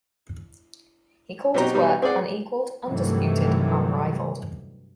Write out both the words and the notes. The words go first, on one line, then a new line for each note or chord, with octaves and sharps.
He called his work unequaled, undisputed, unrivaled.
B2 F#3 C4 D#4 G4 A#5
B2 G3 D#4 B4
C4 G#4 B4 D5 F#5
G2 C3 D#3 E3 F#3 A3